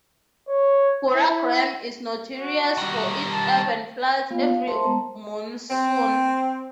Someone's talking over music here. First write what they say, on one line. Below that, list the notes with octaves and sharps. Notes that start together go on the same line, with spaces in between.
Gurugram is notorious for its urban floods every monsoon.
C#5
E4
F#4
D#3 G3
A5
A#3 B3 F4 F5
F5
A#4 C5 E5 A5 C6
G#3 B3 A5 A#5
C4